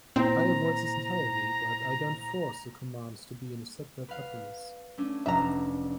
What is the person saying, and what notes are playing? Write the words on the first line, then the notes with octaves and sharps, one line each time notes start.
I avoid this entirely, but I don't force the commands to be in a separate utterance.
A#2 C4 E4 C5 A#5
B4 F5
A3 C#4 D4
F1 B4 E5 A#5